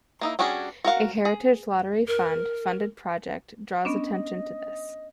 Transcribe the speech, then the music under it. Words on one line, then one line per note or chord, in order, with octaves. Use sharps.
A Heritage Lottery Fund funded project draws attention to this.
A#3 D#4 E4
G3 C#4 D4 F#4 G#4
F#4 A#4 F5 F#5
G#4
A#4
B3 C#4 D4 D#5